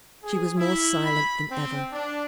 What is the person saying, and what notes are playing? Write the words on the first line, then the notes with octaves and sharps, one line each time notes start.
She was more silent than ever.
G#4
E4
B5
C4
D4